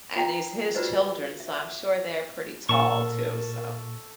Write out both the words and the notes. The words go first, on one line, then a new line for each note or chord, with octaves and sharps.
And it's his children, so I'm sure they're pretty tall too, so.
F4 G5 A#5
F4 F#4 B4 C5 D5 D#5
E5
A#2 A4 A#4 A5 C#6